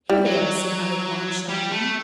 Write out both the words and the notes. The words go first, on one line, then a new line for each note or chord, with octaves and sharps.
"Here they are," said Malicorne, showing them.
G3
F#3
G3
A3